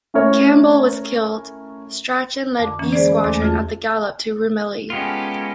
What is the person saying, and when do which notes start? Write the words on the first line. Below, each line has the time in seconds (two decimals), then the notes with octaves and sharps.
Campbell was killed, Strachen led 'B' Squadron at the gallop to Rumilly.
0.14 A3 C#4 E4 A#4 C#5
2.59 F2 D3 D6
2.79 E3 A#3 C#4
2.92 G#3 G#4 C5 D5
3.08 B5
3.24 E2 A3 A4 D6
3.42 F4 F#4 G#4 A5
4.90 G#3 B3 C#4 F4 G4 A4